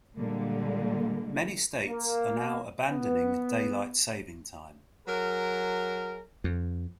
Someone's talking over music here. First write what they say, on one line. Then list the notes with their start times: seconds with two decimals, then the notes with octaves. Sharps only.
Many states are now abandoning Daylight Saving Time.
0.17 A#2 D3 G3 G#3 A#3
1.85 A#3
2.87 B3
5.08 F#3 G#4 A#4
6.44 F2